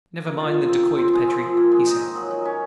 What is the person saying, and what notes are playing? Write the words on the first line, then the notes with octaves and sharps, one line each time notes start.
"Never mind the dacoit, Petrie," he said.
A#3
F4
F3
C4
F3
C4
G#3
C4
F3
A#3
G#3
D#4
D#3
F#3
F#3
C#4